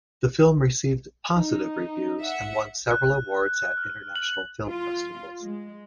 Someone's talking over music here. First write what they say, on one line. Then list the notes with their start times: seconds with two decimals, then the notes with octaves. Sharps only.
The film received positive reviews and won several awards at international film festivals.
1.36 D#4
2.20 E5 F#5
2.91 F#6
3.77 F6
4.16 F#7
4.67 F4
5.40 G#3